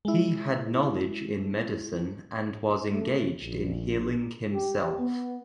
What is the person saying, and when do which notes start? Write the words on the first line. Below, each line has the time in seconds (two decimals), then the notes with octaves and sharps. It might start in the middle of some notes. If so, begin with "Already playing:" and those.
He had knowledge in medicine and was engaged in healing himself.
0.05 G#3 E4
2.91 A3
3.43 A#1
4.53 G4
4.99 B3